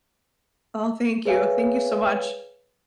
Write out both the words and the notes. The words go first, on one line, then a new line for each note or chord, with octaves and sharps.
Oh, thank you, thank you so much.
G#4 B4 C#5 E5 F5 G#5